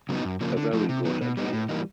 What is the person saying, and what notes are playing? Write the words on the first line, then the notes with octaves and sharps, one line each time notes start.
A very good idea!
C#3 F#3 B3 D#4
F#2
C#3 F3 A#3
D3
F3 A3
C3
D#3 F#3 B3
B2
G3 B3 D#4
A2
E3 G3 A#3 D#4